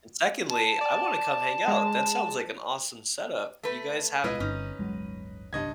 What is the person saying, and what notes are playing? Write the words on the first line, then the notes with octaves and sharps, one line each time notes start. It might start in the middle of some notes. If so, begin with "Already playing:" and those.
And secondly, I wanna come hang out, that sounds like an awesome setup. You guys have
A5
D5
G#3
A3 B4
D1 B1 G#3 E4 F4 B4 D#5
G1 G2 C4 C#4 D#4
D1 G1 F#3 G#3
G#1 C#2 G2 D#5 G#6